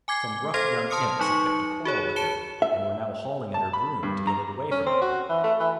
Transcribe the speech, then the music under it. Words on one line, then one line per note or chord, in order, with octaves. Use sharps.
Some rough young imps had picked a quarrel with her, and were now hauling at her broom to get it away from her.
G#5 D6 G#6 C7
A4 C5 F5 C6 G#6 A#6
A5 C6 D#6 F6 C#7
F#3 D#4 C#6 C#7
F#4 G#4 C#5
A5 C#7 E7 G7
E5
A5
B5
G2
A#5
C#4
C4
F#4
E3
A3
E3